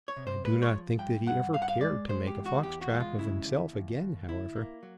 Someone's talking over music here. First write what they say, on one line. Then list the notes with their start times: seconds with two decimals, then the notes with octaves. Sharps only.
I do not think that he ever cared to make a fox-trap of himself again, however.
0.08 C#5
0.16 C3
0.27 C5
0.44 G#3 B4
0.62 C#5
0.71 F3
0.99 G2 G5
1.26 G2 F#5
1.54 G2 F5
1.62 F#5
1.68 F5
1.81 G#3 D5
2.09 G#3 C5
2.27 G4
2.36 E2
2.46 F#4
2.63 E2 G4
2.81 F#4
2.91 G#3
3.00 F4
3.18 C#3 E4
3.46 D#2
3.73 D#2
4.00 D#2
4.28 D2 E4
4.56 A#3
4.83 F#3